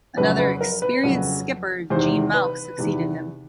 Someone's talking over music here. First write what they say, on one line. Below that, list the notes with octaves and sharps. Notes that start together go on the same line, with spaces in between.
Another experienced skipper, Gene Mauch, succeeded him.
F2 C#3 F#3 B4
B4
A#4
B4
F2 C#3 F#3
E2 C3 D#3 C5
B4
E2 C3 D#3